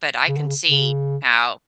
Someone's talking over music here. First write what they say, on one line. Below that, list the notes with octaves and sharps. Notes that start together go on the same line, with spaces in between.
But I can see how
C#3
D3
C#3
C#3